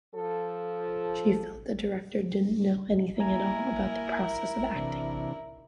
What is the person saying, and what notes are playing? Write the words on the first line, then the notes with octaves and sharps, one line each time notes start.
She felt the director didn't know anything at all about the process of acting.
F3 A4
A#3 E4 A#4 G#5 A#5
C3 E3 D4